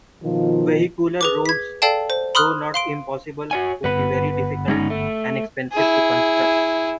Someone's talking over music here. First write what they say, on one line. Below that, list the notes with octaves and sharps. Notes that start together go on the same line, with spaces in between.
Vehicular roads, though not impossible, would be very difficult and expensive to construct.
B2 D#3 F3 F4
G#4 B4 D6
G#6 B6
A4 D5 F5 G5 A5
C5
B5 C6 D#6 F6 F#6
F5 C6 D7
F#4 C#5 G#5
G1 B4 F#5 B5
G#3 C#4 D#4
A3
E4 G#4